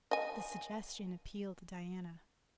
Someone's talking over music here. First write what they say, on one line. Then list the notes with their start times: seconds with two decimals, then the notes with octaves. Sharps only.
The suggestion appealed to Diana.
0.11 D#5 G#5